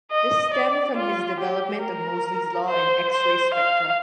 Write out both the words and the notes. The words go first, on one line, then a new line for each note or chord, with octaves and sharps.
This stemmed from his development of Moseley's law in X-ray spectra.
D#5
D5
F4
G4
A#4
C5
C5
F5